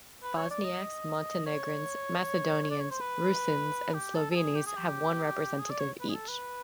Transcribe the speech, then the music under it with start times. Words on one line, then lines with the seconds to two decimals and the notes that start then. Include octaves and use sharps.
Bosniaks, Montenegrins, Macedonians, Rusyns and Slovenes have one representative each.
0.23 B4
0.36 C#5
0.50 D5
0.64 D#5
1.46 C#5
2.63 C#5
2.70 D5
2.81 C#5
2.91 C5
3.01 B4
3.94 G4
4.15 A4
4.31 A4
4.35 G#4
4.56 G4
4.66 G#4
4.77 G4
5.59 G#4
5.70 D5
5.80 C#5
6.00 B4
6.09 G#4
6.14 A4
6.28 B4